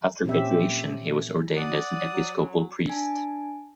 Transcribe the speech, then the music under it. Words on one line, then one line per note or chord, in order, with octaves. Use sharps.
After graduation, he was ordained as an Episcopal priest.
A#2 C4 C#4 G4 E5
D5 F#5 D#6
F#3
D4 G#5 A5